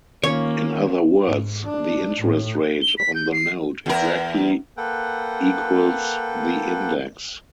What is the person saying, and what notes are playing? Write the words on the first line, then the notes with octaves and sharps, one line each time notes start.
In other words, the interest rate on the note exactly equals the index.
D#3 A#3 C#4 F4 C#5
G#2
D4
A2
G7
B6
G6
C7
E2 A#4
A#3 A4 B4 F#5 G5